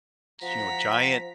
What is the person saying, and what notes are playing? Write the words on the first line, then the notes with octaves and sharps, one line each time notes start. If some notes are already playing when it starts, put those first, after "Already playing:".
you know, giant
F3 F#5 A#5 B6